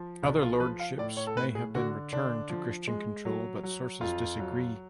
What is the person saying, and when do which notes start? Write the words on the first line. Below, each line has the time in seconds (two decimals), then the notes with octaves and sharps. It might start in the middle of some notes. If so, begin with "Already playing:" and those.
Other lordships may have been returned to Christian control, but sources disagree.
Already playing: F3
0.22 B1 D4
0.42 F4
0.60 F3 B4
0.79 F5
0.98 A2 D5
1.17 C#5
1.27 A4
1.37 A2 B4
1.55 G#4
1.75 D3 F#4
2.13 D3 D4
2.49 F3
2.88 G#3
3.25 F#3
3.63 F#3
4.01 F2 F4
4.39 F#3